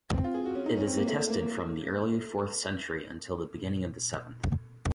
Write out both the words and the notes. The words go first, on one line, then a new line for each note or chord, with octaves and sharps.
It is attested from the early fourth century until the beginning of the seventh.
C4
F4
G#4
F#4
C#4
D#4
C#4
C4
A#3
A3
A3
A#3
A#3